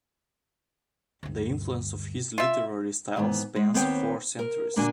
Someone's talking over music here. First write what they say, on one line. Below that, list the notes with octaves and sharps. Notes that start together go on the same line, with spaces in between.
The influence of his literary style spans four centuries.
D2 G2
F4 E5
D#2 G#2 E3 B3
G#3
D#2 B3 C4 B4 C#5 G5
A#4
A#2 D3 A#3 D4 F#4 G#5